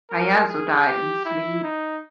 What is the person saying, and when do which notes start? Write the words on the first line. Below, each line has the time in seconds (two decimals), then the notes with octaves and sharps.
Caiazzo died in his sleep.
0.10 A#4
0.49 G#4
0.87 G4
1.25 E4
1.63 D#4